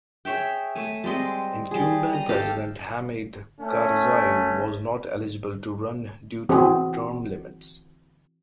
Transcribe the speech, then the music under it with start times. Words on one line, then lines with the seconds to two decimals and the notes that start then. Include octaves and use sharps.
Incumbent president Hamid Karzai was not eligible to run due to term limits.
0.25 G#4 C#5 E5 G5
0.75 A3 C#5 G#5
1.04 G3 G#3 C4 D#5
1.71 G3 G#4
2.13 D#5 A#5
2.29 G4 A4 F5
3.61 A3 C#4
6.49 E3 C4 F#4 G#4